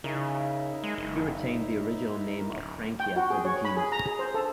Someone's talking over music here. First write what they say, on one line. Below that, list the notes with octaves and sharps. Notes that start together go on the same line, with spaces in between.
He retained the original name of "Frankia" for the genus.
C#3 D#4 E4 A#4
G#3
F#1
D1
G5
F#4
G#4
C#5
B5
G#4
A#5
G#4
C5
A4